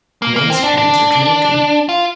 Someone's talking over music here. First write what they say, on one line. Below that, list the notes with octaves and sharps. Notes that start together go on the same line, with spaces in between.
May's parents are Jamaican.
A#3
A#3
C4
D4
D4
F4